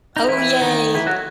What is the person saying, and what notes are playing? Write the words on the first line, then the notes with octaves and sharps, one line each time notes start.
Oh, yay.
D#4
E3 E4
D#3 D#4
E3 E4
F#3 F#4